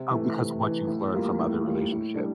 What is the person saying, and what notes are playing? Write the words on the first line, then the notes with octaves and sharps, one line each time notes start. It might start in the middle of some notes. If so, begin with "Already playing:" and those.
Oh, because what you've learned from other relationships.
Already playing: C3
E3 A3
C3
E3 A3
A2
G3 A#3 F4
A2
G3 A#3 F4
A2
G3 D4